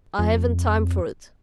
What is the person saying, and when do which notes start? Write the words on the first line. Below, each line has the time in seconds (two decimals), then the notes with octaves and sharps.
I haven't time for it.
0.19 F2